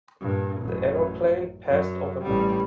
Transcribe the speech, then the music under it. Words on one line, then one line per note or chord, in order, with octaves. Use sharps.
The aeroplane passed overhead.
G2 A#2
A1 F#2
F#2
A1 G3